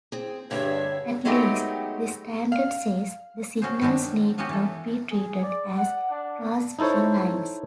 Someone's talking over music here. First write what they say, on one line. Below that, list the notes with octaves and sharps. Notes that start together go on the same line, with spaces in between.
At least the standard says the signals need not be treated as transmission lines.
C4 G#4
G2 D3 G#4 C#5 E5
F#3 G#3 A3 B3 D#4 G4
F5
C4 C#4 F#4 G#4 C5
D#3 F#3 G#3 C4 D4
A#3 B3 C#4 F#4 G4
E3 A4
G#4
D5
F#5
D4
D#4 E4 A4 C5 C#5